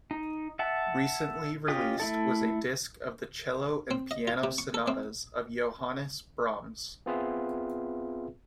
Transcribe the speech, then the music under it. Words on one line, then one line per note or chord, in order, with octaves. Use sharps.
Recently released was a disc of the cello and piano sonatas of Johannes Brahms.
D#4
E5 F#5 A5
C#4 F4 G4 D#5
A3 E4 A4
C4
D#5
F4
C3
C#6
A4
C4
B3 C4 F4 G#4 B4 E5